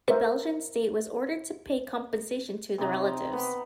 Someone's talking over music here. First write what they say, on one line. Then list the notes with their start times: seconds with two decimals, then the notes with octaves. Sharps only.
The Belgian state was ordered to pay compensation to the relatives.
0.08 A#4 C5 E5 F5
2.78 C3 C4 D#4
3.33 B3